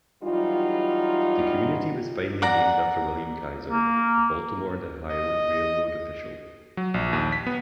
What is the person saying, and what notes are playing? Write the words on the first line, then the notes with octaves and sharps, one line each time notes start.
The community was finally named after William Keyser, a Baltimore and Ohio Railroad official.
E3 F#3 G3 D#4 F4
D5 F#5 A#5
A#3
D#5
F#3
A#1
D#2
B6
B3